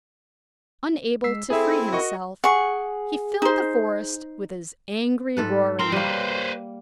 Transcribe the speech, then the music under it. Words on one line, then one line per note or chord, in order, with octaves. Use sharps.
Unable to free himself, he filled the forest with his angry roaring.
G#3 E6 B6 C7
C4 E4 G#4 A4 E5
F#4 A#4 D#5 C#6
G#4 F#5 C#6
D#4 C5
G#2 A4 B4
C4 A#4 C6
G3 A#3 B4 C5